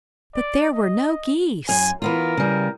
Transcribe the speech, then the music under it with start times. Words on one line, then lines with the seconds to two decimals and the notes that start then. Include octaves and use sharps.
But there were no geese!
0.35 D5
0.72 D#5
1.69 F#2 G#5
2.02 E3 B3 F4 A#4
2.37 C#3 G3